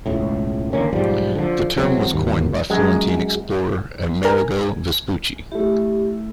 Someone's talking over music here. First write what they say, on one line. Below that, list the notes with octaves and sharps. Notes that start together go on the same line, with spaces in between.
The term was coined by Florentine explorer Amerigo Vespucci.
E1 C#2 A2
D3 D#3 A#3 C#4
B1 G#2 F3 G3
D3 E3 F3
E1 E2 F#3 C4
D#1 G#1 D#2
F#2 G#3
A#4 G#5
A3 E4 G4